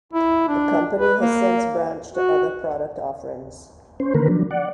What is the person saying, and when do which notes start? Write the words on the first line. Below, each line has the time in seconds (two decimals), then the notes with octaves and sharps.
The company has since branched to other product offerings.
0.13 E4
0.48 D4
0.98 B4
1.20 A#3
2.14 F#4
4.00 C#4 C5
4.14 D3 D#3 A#3 A#4 B4
4.28 F3 F#3 D4
4.51 D5 F#5